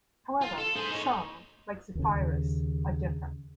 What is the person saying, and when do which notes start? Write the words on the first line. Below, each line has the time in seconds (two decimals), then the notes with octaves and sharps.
However, some - like Zefiris - are different.
0.41 F4
0.58 A4
0.76 G#4 C5
0.91 D#4 C#5
1.95 D#2 C#3